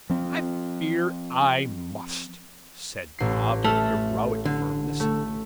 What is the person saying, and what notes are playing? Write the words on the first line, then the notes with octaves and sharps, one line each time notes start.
'I fear I must,' said Bob, with heroic firmness.
F3 C4
A1 C7
A3 A4 A5 F6
D3
A3